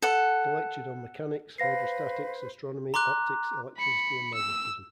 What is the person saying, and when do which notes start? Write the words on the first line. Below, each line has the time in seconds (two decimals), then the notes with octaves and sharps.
He lectured on mechanics, hydrostatics, astronomy, optics, electricity and magnetism.
0.02 A4 F#5
1.58 B4 C5 F5 A#6 C7
2.94 A#5 C6 D6 F#6
3.77 B5 C#7
4.34 E6